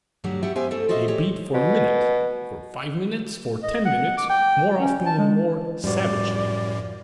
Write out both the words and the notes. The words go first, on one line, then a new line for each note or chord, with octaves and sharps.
They beat for a minute, for five minutes, for ten minutes, more often and more savagely.
D2 G2 B2 F#3 F#4 G4
B3 F#4 G4 E5 F#5
B3 G4 C5 E5 G#5
A3 C4 E4 A4
F4 F#4 C5 D#5 E5
G4 C#5
B2
D#5
F#5
D6
G5
C#4
A5
G#3
F#2 A2 F3 G3 F#4 D5